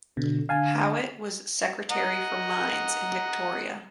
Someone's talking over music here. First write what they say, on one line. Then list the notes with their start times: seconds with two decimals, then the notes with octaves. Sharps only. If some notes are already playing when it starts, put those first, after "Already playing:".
Howitt was Secretary for Mines in Victoria.
0.17 B2 D3
0.49 D3 F5 G#5 A5
1.91 D#5 F#5 A#5